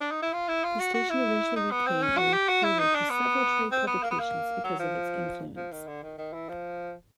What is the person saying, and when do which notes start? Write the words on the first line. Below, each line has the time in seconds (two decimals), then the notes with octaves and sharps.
The station eventually became a reporter to several trade publications because of its influence.
0.01 D4
0.11 D#4
0.22 E4
0.33 F4
0.48 E4
0.64 F4
0.79 F#4
0.94 F#4
1.10 E4
1.56 D#4
1.71 B3
1.87 C4
2.02 C#4
2.17 F#4
2.33 G4
2.48 F#4
2.64 E4
2.79 D#4
2.95 D4
3.10 B3
3.72 C4
3.87 B3
4.02 A#3
4.11 B3
4.19 A#3
4.64 F#3
4.79 F3
5.56 F3
5.72 D#3
5.87 D3
6.03 D#3
6.18 D#3
6.33 E3
6.49 F3